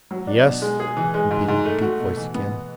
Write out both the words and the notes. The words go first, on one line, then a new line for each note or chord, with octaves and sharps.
"Yes," repeated the deep voice again.
F#3
D4
B2
G#3
G#4
E3
G#3
G#2
G#2
A3
F#4
B2
E3
B3